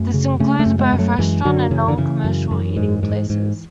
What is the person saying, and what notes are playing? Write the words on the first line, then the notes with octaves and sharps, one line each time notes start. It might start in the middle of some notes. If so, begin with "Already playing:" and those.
This includes both restaurant and non-commercial eating places.
Already playing: F#2 A3 C#4
C#3
C#3 A3 C#4
A3 C#4
F#2
G#3 B3
F#2
F#3 A3
F#2 E3 G#3
F#2 D3 F#3
C#3 E3
D3
C#3 E3
F#2
F#2
G#2
G#2
G#2